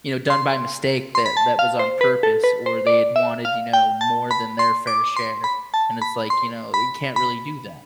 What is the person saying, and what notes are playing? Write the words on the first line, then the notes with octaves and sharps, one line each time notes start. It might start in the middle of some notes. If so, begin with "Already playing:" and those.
you know, done by mistake that that was on purpose or they had wanted, you know, more than their fair share, and it's, like, you know, you can't really do that,
C6
C6
B5
A5
F5
C5
B4
A4
B4
C5
D5
E5
F5
G5
A5
B5
C6
D6
C6
B5
A5
B5
C6
B5
B5